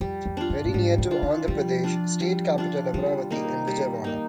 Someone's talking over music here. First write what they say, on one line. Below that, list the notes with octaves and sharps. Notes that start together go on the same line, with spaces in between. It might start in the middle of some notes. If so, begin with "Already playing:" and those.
Very near to Andhra Pradesh state capital Amaravathi, and vijayawada.
F2 G3
F2
D4 F4
G2
A#2
G#2 G3
D3
D4 F4
D#3
F3 G3
D4 F4
G3
D4 F4
D#3 G3
A#3 D#4
G3
A#3 D#4